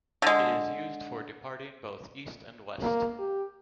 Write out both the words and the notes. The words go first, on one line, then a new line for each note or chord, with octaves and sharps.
It is used for departing both east and west.
D3 G#3
A#3
G4